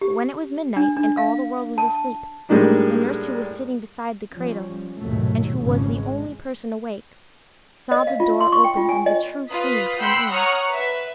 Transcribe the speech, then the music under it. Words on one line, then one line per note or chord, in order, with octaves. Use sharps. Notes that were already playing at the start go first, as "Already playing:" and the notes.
But when it was midnight, and all the world was asleep, the nurse who was sitting beside the cradle, and who was the only person awake, saw the door open and the true queen come in.
G4
D4
D4
F5
A5
A2 G3 G#3 A#3 D4 D#4
F3 G3 C#4
A#1 D#2 G#2 B2 F#3 A3
G#1 F2 C#3 E3 F3 C#4
G#3
D#5
F5
F4
C6
C#6
G5
F4
G#5
D#5
F4 B4 D#6 B6
F#5 G5 B5 C6 E6 G6
C#5 F#5 A#5 C#6 D#6 F6
B4 E5